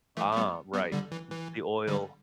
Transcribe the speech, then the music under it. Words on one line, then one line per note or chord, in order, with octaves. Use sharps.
Ah, right. M the oil.
E3 A3
A3
G3 B3
G3 B3
D3 G3
E3
E3
D3 G3